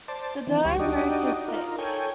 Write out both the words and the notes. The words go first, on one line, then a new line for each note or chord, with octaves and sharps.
The dome roof is thick.
C5 D5 A5
D#3 E3 C4
D2 G3 G4 C#6
D4 D#4 F#4 G4 D5 D#5
D#4 F4 A#4
A4 C#5 G5 G#5